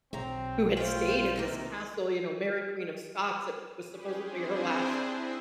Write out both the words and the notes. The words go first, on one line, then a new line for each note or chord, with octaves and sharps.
who had stayed at this castle, you know, Mary, Queen of Scots, it was supposedly her last,
B1 F#3 C4 A#5
A3 F4 C5 G5
C3 D#3 A#3
C#4 G4 G#4 B4
C4 D4 E4 G#4 C5
E5